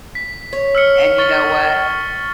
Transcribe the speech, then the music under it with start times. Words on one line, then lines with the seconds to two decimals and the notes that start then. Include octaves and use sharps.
and you know what?
0.15 B6
0.53 C#5
0.75 E6 F6 C#7
1.18 C#6 A6 G7